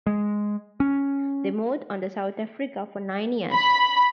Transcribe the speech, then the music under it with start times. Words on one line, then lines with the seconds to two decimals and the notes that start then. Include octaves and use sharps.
They moved on to South Africa for nine years.
0.07 G#3
0.80 C#4
3.52 B5